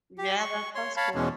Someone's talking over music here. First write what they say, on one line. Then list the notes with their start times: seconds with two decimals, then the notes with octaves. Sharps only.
Yeah, that sounds cool.
0.18 G4
0.39 C#6
0.75 C#5 C6
0.97 C#5 F5 A5 B5
1.15 E2 B2 E3 G#3 C#4